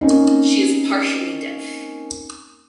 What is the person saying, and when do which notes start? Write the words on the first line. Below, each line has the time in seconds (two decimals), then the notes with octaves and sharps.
She is partially deaf.
0.01 A#3 C4 C#4 D#4